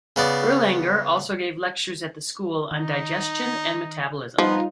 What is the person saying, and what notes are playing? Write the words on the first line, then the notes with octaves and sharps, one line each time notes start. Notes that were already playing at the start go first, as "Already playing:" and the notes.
Erlanger also gave lectures at the school on digestion and metabolism.
C#3 B3 D5
D#3 D#4
F3 G3 B3 D#4 F4